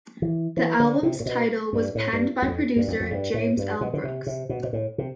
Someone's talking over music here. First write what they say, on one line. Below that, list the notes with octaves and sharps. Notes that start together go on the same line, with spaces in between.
The album's title was penned by producer James L. Brooks.
E3
E3
D3
C3
A2
B2
G2
A2
G2
E2
F2
G2
F2
F2
G2
A2
G2
B2
D3
C3
C3
B2
B2
A2
C3